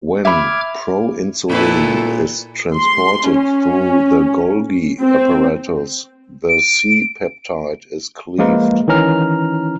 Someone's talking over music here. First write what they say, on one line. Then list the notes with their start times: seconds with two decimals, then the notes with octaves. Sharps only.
When proinsulin is transported through the Golgi apparatus the C-peptide is cleaved.
0.25 E5 B5 D6 F6 G#6
1.50 A#2 A3 D#4 E4 A4 B4
2.77 C6
3.30 C#4
5.01 C4
6.48 D7
8.38 F3 G#3 A#3 A#4 B4
8.88 D#3 E3 C#4 A#5 F6